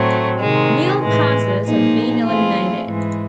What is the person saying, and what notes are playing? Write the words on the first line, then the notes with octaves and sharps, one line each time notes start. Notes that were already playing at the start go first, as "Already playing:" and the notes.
Annual passes have been eliminated.
Already playing: A2 F#3 A3 C4
C3 D#3 G#3
A2 E3 G#3
A#2 F3 A#3 D#4 G#4
E3 A3 C4 F4 G#4
G#2 E3 G#3